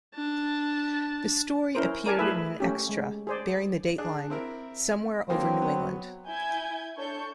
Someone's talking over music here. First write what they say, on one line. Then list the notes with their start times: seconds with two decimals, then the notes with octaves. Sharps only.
The story appeared in an extra bearing the dateline "Somewhere Over New England".
0.15 D4 A5
1.75 C#4 E4 A#4 C5
2.06 A#4 D5 G#5 A5
2.19 A3 E4 G#4 B4 E5
2.60 A3 C#4 G4
2.89 G#3
3.27 G#4 C5 D5
3.98 D4 G#4 F#6
4.30 C4 E4 A#4
5.30 D3 D#3 F#3 A#3 C4
5.62 B3
6.29 E4 G#5 G6 G#6
6.97 D4 A4 C#5 C#6 G6